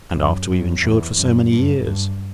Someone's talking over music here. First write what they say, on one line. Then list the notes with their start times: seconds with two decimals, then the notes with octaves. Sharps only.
And after we've insured for so many years!
0.14 F#2
0.49 F#2
0.83 E2
1.17 F#2
1.51 G2
1.86 G2